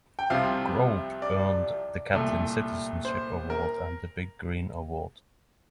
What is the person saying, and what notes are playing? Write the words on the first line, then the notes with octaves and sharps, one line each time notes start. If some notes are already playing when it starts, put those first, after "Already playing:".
Grobe earned the Catlin Citizenship Award and the Big Green Award.
G5
C2 C3 F3 C4 F5
D5
C2 A#2 A3
C5
A#4